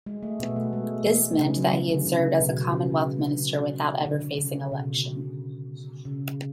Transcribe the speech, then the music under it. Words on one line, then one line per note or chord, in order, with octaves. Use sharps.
This meant that he had served as a Commonwealth Minister without ever facing election.
G#3
A3
B2 B3
A3
G#3
E3
C#3
F#3
E3
D3
C#3
B2
C#3
D3
C#3
B2
C#3